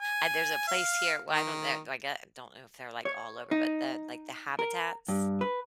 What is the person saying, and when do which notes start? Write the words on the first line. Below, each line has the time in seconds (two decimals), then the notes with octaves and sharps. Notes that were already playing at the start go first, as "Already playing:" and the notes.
Uh, there's a place here, well I don't know I get I don't know if they're like all over, but the, like the Habitats.
0.01 G#5
0.68 F5
1.31 D#3
3.05 C#5
3.51 D#4
4.59 A#4
5.08 G2
5.41 B4